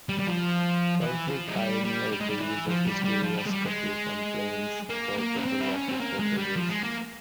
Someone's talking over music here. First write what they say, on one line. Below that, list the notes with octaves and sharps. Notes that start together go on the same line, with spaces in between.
Pulfrich pioneered the use of stereoscopy from planes for topographic purposes.
G3
G3
F3
E3
F3
G#3
G3
G3
G3
G#3
G3
E3
F3
G3
G3
F3
G3
G#3
G3
G#3
A#3
A#3
C#4
C4
E4
C#4
C4
A#3
G#3
G3
F3
G#3
A#3